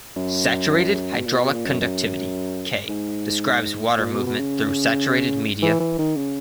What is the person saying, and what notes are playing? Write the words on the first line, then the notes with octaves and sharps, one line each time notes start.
Saturated hydraulic conductivity, "K", describes water movement through saturated media.
F#2
B2
A#2
B2
A#2
F#2
F#2
G#2
A#2
B2
B2
C#3
E3
E3
D#3
C#3